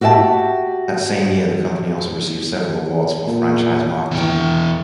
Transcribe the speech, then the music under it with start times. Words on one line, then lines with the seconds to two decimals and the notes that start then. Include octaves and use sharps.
That same year, the company also received several awards for franchise marketing.
0.01 F#4 G4 E5 G5 A5
3.27 A#2
4.11 E2 E3 G5